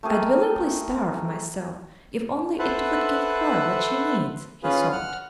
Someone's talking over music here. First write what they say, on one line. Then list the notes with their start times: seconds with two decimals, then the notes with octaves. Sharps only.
"I'd willingly starve myself if only it would give her what she needs," he thought.
0.03 A3 G4 G#4 A#4
2.59 A4 B4 C5 E5 F#5
4.63 C#4 F4 G#4 B4
4.92 F#5 F6